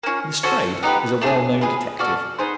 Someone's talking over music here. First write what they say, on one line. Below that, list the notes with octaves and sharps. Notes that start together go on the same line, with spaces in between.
Lestrade is a well-known detective.
A#3 C#4 F4
C#4 F#4 A4 C5
B3 D#4 G4 B4
A3 D4 F4 G#4
F4 G#4 B4
F#4 A4 D5 F5
B3 D#4 G#4 C5